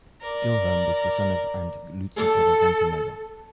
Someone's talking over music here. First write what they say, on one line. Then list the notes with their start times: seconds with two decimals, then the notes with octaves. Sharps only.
Guilherme was the son of and Luzia Cavalcante Melo.
0.21 A#4 D5
2.16 A4